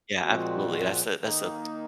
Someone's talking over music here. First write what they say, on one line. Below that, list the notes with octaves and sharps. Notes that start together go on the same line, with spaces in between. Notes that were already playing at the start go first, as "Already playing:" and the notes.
Yeah, absolutely that's a that's a
A#2 F3 G#3 C4 F#4
D#3 A#3 D#4